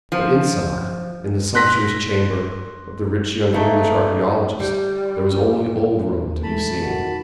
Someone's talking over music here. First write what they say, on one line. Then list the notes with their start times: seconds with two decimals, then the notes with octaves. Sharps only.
But inside, in the sumptuous chamber of the rich young English archaeologist, there was only old Rome to be seen.
0.12 F3
1.54 C6 F#6 A#6 B6
3.53 A#2 A3 D#4
4.60 G3
6.43 A#2 E3 G#3 A3 A5 B5
6.83 C3 D#3 F#4